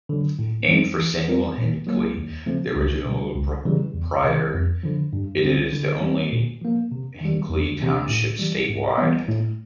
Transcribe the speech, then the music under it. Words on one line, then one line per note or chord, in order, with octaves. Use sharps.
Named for Samuel Hinckley, the original proprietor, it is the only Hinckley Township statewide.
D3 F#3
A2
E3 G#3 C4 D#4
E3
G3 C4 F4 A#4
A#2
F#3 A#3
D#2
C#3 F3 A3 C4
C#2
B2 G3
C#2
C#3 E3 G3
E2
C3 D#3
F2
D3 F3
G2
D3 G3 C4
D3
G3 C4
A#2
F3 A#3
C3
D#3 G3
E2
C3 E3
A2
E3 G3
G#2
E3 G3 B3
A2